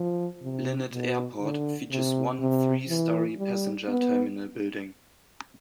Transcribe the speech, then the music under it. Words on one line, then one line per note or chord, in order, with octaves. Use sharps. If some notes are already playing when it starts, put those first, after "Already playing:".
Linate Airport features one three-story passenger terminal building.
Already playing: F3
C3
B2
D3
C3
C3
E3
G3
B3